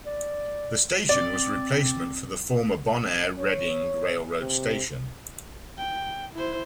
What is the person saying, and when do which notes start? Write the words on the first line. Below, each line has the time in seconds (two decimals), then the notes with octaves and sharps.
The station was a replacement for the former Bonair Reading Railroad Station.
0.06 D5
1.09 C4 D5
3.38 C#5
4.41 C3
5.78 G5
6.34 E4 C5